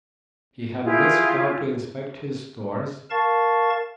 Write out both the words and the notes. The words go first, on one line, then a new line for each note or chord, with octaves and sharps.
He had whisked out to inspect his stores.
E4 F4 G4 G#4
A#4 F5 A5 C#6 A6